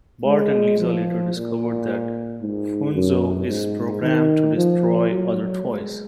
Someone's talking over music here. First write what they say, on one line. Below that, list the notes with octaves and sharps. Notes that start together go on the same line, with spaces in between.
Bart and Lisa later discover that Funzo is programmed to destroy other toys.
G#3
F3
A#2
G#2
F#2
G#2
D#3
F3
F#3
G#3